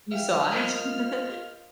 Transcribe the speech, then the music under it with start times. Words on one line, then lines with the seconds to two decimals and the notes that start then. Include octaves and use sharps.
You saw it.
0.12 E3 E5 F5 G5 F6
0.51 F4 A#4 C5 D#5 D#6